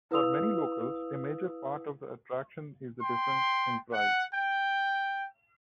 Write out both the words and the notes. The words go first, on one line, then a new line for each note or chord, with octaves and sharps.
For many locals, a major part of the attraction is the difference in price.
E4 B4 F5 D#6 E6 F7
G5 C6
F#5
G5